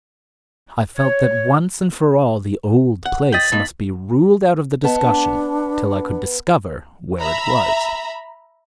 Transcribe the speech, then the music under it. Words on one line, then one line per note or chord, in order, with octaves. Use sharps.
I felt that once and for all the "old place" must be ruled out of the discussion till I could discover where it was.
C#5
F#5
D#5 G5 A6 B6 F#7
A2 A#3 D#4
B3 D#5 A5
D4
E5 A#5 B5